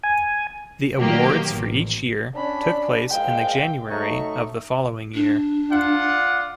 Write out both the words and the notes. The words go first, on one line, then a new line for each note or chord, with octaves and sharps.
The awards for each year took place in the January of the following year.
G#5
B2 D#3 F#3 A#3 G4
A1
C#4 D4 B5
A#1 G#3 F5 G5
F#3 A3 D#4 C#6
D4
F4 D5 F#5